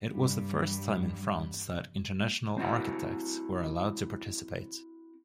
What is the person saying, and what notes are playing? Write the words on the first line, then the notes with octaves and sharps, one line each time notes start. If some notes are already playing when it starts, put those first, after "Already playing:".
It was the first time in France that international architects were allowed to participate.
G2 G3
C4 E4 F#4 F#5